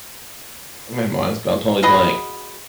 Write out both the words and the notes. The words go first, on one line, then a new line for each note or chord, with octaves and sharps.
my mind's gone totally blank.
F#4 G#4 B4 D#5